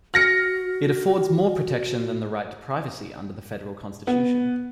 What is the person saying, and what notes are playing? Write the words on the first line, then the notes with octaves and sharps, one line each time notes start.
It affords more protection than the right to privacy under the Federal Constitution.
F#4 F6 A#6 C#7
B3